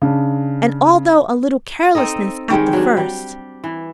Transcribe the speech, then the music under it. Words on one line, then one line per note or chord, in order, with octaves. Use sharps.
And all though a little carelessness at the first.
C#3 D4
C4 D#4 A4 D#5
D#3 G3 G#3
F#3 D4
G3
E3